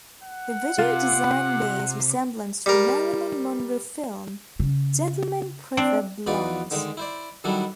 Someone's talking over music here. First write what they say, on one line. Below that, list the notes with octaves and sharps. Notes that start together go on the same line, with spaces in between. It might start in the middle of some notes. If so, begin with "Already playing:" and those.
The video design bears resemblance to the Marilyn Monroe film "Gentlemen Prefer Blondes".
F#5
C3 F4
G3 A#4
C#3
C4 D4
E2 D#4 F4 F#4 B4 D5
D3 D#3 G#3
E4 C5 D5
D#3 F#3 G3 D4 E4 A4